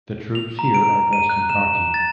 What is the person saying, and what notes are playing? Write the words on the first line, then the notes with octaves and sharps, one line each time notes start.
The troops here are dressed in khaki.
F7
A#5
D7
D#7
F#6
E7
A6